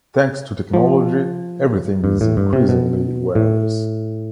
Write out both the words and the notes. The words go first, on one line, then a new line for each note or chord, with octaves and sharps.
Thanks to technology, everything’s increasingly wireless.
F3
G2
A2
G2
C3
B2
A2